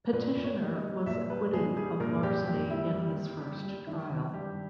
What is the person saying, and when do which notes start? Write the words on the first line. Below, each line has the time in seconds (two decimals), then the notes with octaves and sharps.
Petitioner was acquitted of larceny in his first trial.
0.13 A#2 B4
0.36 A#2
0.44 C#5
0.60 G3
0.75 D#5
0.83 G3
1.06 A#2 E5
1.30 G3 B4
1.53 A#2 G#4
1.77 G3 G#4
2.00 A#2 A#4
2.23 A#2 G4
2.47 A#2 G4
2.70 G3 E4
2.93 G3
3.16 G3
3.40 G3 G4
3.64 G3
3.87 D#3 E4
4.10 D#3
4.34 G2 G4